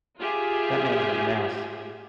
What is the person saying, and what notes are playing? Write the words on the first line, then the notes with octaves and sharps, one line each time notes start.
That man was a mess,
F4 G4 G#4 E5